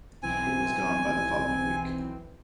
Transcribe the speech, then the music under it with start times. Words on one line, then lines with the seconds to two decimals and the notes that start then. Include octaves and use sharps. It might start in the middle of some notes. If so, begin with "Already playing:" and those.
It was gone by the following week.
0.23 B1 E3 C4 G#5